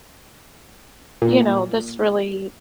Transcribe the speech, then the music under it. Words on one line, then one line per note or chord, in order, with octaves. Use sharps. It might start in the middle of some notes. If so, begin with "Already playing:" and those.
you know, "this really"
A#2